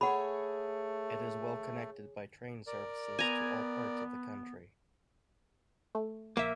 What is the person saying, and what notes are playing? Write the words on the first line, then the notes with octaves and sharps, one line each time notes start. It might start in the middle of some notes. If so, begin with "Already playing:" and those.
It is well connected by train services to all parts of the country.
A3 G#4 C#5 F#5 B5
A#4 D5
B3 G#5 A#5
A3
A#1 A#3 E5